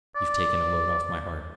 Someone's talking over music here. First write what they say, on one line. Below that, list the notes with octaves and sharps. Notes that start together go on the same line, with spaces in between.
You've taken a load off my heart....
D5